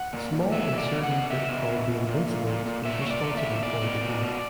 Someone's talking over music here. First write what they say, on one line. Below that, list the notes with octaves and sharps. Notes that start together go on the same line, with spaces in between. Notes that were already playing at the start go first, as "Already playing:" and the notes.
A small insurgent group called the Invincibles was responsible for the deed.
Already playing: F#5
A#2
A#2
B2 E5
B2
D5
B2
F#5
B2
B2 E5
B2
B2
B2
A#2
A#2
A#2
A#2
A#2 E5
A#2 C#5
D5
A#2
E5
A#2
B2 D5
B2
B2
B2